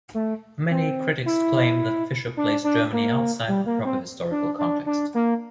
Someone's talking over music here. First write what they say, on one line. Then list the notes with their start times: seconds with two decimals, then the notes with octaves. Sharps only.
Many critics claim that Fischer placed Germany outside the proper historical context.
0.14 A3
0.70 C4
1.26 E4
2.37 D4
2.64 D4
2.93 A#3
3.48 G3
3.66 A#3
3.85 C4
4.31 D4
4.59 D4
4.86 D4
5.14 A#3